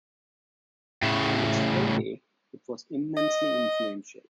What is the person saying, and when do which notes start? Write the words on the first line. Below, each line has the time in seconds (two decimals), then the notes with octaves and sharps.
In its heyday it was immensely influential.
1.02 A2 C#3
3.17 D#5